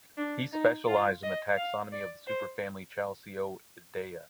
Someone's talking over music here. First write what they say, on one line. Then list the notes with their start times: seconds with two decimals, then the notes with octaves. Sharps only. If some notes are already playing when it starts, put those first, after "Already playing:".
He specialized in the taxonomy of the superfamily Chalcidoidea.
0.17 D4
0.52 D#4
0.87 F4
1.23 D#5
1.57 F5
1.92 D5
2.27 C5